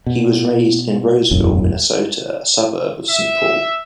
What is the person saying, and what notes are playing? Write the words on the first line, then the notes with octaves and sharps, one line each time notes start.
He was raised in Roseville, Minnesota, a suburb of Saint Paul.
B2
E1 A1 F#2
E5